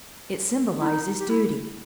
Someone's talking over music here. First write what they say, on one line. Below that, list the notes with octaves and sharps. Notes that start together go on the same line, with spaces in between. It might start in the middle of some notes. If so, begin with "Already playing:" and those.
It symbolizes duty.
E4
D#4
G4
E4